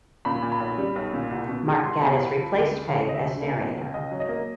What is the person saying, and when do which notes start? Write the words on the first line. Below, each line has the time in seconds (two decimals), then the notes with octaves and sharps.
Mark Gatiss replaced Pegg as narrator.
0.25 A#2 B5
0.43 A#2
0.52 B5
0.60 B1
0.78 G3
0.96 B1
1.13 A#2
1.31 C2
1.48 B2
1.66 G#3
1.84 C2 C6
2.01 B2
2.10 B5
2.19 C2
2.36 F3
2.54 D2
2.71 G#3
2.89 C#3 F5
3.06 D2 D#5
3.15 E5
3.24 D2
3.41 A#3
3.59 B2
3.77 C#2
3.94 C#2 D#5
4.11 F#3
4.20 D#5
4.29 A#3